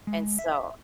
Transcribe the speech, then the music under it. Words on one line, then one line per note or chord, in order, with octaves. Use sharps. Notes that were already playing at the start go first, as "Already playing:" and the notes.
And so
G#3
E5